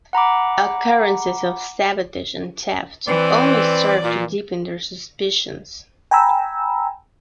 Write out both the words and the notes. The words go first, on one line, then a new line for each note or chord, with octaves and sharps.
Occurrences of sabotage and theft only serve to deepen their suspicions.
F#5 A#5 B5 D6
E3 C4 B4 D5
A#2 F4
G5 G#5 A#5 B5 E6